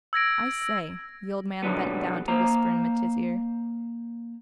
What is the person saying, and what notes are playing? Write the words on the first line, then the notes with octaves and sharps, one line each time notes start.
"I say," the old man bent down to whisper in Mitya's ear.
E6 G#6 A#6 D7
B2 D3 F#3 G3 B3
A#3 C5 A#5